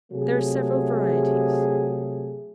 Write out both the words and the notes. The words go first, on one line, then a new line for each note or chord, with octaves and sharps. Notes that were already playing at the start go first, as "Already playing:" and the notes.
There are several varieties.
C3 F#3 A3 G#4